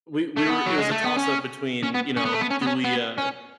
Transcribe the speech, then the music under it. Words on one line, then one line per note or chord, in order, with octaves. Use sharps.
we we were it was a toss-up between, you know, do we uh,
A3
B3
F#3
G#3
A3
B3
C#4
C#4
B3
C#4
B3
A3
B3
C#4
B3
C#4
B3
C#4